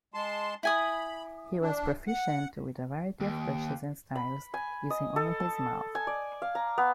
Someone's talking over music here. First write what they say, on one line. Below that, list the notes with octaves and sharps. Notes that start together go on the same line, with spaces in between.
He was proficient with a variety of brushes and styles, using only his mouth.
G#3 A5 C6
E4 G#5 B5 D#6
D4
F#5
D#2
B5
G#5
D#5
A4
A5
G#5
D5
F5
A#5
B3